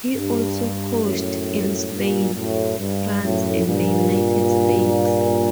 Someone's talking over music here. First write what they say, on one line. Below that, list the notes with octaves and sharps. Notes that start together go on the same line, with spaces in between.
He also coached in Spain, France, and the United States.
G2
F#2 A2
G2 A#2
F#2 A2
G2
F#2 A2
G2 A#2